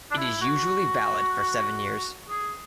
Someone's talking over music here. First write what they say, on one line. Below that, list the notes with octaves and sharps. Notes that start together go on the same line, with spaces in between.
It is usually valid for seven years.
D4
E4
F#4
G#4